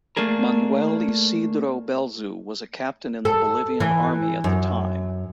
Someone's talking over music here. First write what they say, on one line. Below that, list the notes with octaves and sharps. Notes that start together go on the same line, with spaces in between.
Manuel Isidro Belzu was a captain in the Bolivian Army at the time.
A3 A#3 D4 G#4 A#4
A4
E3
F#2